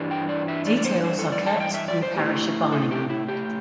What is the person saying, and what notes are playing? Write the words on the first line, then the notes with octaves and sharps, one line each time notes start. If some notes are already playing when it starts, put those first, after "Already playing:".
Details are kept in the parish of Barningham.
Already playing: G2 E3 G3 D4
G5
D5
E5
D5
D5
C5
C5
A4
D5
A5
E5
G5
E5
D5
C5
A2 A3 E4 G4
A4
G4
E4
G4